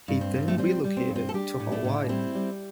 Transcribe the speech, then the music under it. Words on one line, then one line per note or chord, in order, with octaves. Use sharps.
He then relocated to Hawaii.
G2
C4
G2
A3
G3 C4
G3
C4
G2
C4
A4
G3 D4 G4
A2
A3 D4
A2
G3 C4 E4
G3